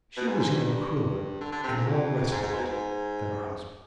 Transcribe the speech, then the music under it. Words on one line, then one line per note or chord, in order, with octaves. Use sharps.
She was even crueler and more resolute than her husband.
B2
G#2
G#2
G2
G2
D3
D3
C3
G#2
F2
G#2
G#2
B2
G#2